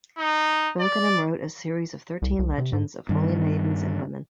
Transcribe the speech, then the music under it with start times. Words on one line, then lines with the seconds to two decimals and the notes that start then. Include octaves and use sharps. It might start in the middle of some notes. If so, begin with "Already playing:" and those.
Bokenam wrote a series of thirteen legends of holy maidens and women.
0.18 D#4
0.80 D5
2.22 C2
2.39 C2
2.58 C3
2.73 G#2
3.09 G2 D#3